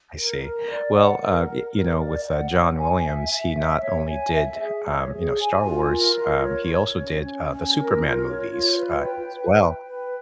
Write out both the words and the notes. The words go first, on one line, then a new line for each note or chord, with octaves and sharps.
I see, well, uh, yo you know, with, uh, John Williams, he not only did, um, you know, Star Wars, um, he also did, uh, the Superman movies, uh, as well,
A#4
A#4
D5
F#5
A#4
A#4
A#4
D5
F#5
C#5
G#5
E5
E5
E5
C#5
G#5
E5
G#4
C#5
G#4
G#5
F4
A#4
F4
C#5
C#5
C#4
C#4
C#4
A#4
F4
C#5
F4
B4
G5
B4
G5
B4